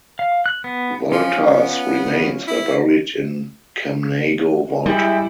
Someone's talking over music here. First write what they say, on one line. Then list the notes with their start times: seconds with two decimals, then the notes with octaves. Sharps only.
Volta's remains were buried in Camnago Volta.
0.19 F5
0.46 F#6
0.64 B3
1.12 F3 C#4 F4
1.46 B3
2.47 E4
4.86 G3 G#3 E4 E5 G5